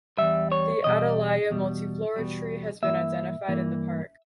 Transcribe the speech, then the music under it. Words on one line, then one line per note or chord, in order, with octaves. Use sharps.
The "Atalaya multiflora" tree has been identified in the park.
E2 B2 G3 E5
C#5
E2 B2 G3 D#5
E2 B2 G3
E2 B2 G3
G2 E3 A#3 E5
G2 E3 A#3